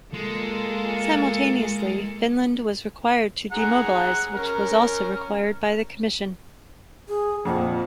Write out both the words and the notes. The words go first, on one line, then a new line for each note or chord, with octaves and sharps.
Simultaneously, Finland was required to demobilize, which was also required by the commission.
G#3 A#3 F4 A4
G#4 F#5 A#5
C#4 A#4
G#4
F2 A#2 F3 F#5